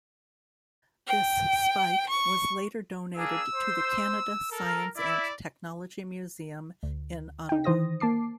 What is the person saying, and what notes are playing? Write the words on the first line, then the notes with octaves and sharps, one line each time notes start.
This spike was later donated to the Canada Science and Technology Museum in Ottawa.
G5
C#6
A#3 D4 G#4 E6
C5
A4 A#4
E4 D5
D2
D#4 G5
D#3 E3 C5 D#6 A#6
A#3 A5 D6 C7